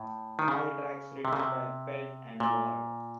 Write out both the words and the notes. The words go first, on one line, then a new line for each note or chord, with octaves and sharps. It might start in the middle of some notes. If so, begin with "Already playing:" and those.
All tracks written by Felt and Ward.
Already playing: A2
D#3
C#3
C3
C#3
C3
A#2